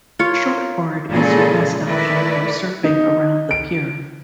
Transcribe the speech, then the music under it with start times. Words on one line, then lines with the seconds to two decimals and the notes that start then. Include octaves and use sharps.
Shortboard is your best option for surfing around the Pier.
0.19 F4 A#4 C#5
1.09 A#2 C#3 G#3 G#4 A4
1.85 D#3 A3 E4 B4 D5
2.84 D#4
3.51 D7